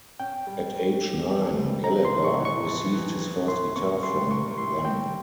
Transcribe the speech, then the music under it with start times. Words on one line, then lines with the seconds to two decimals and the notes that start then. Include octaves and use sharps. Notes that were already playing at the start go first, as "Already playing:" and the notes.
At age nine, Gallagher received his first guitar from them.
0.20 C#4 G5
0.47 G3
0.75 G3
1.01 G4
1.29 G3
1.57 G3
1.84 F2 A#5
2.05 C6
2.12 E3
2.25 C#6
2.39 E3
2.45 C#6
2.66 F2
2.93 E3
3.21 E3
3.48 E4 C6
3.76 A#3 C#6
4.03 G3 C6
4.31 A#3 C#6
4.57 E4 C6
4.85 G3 G5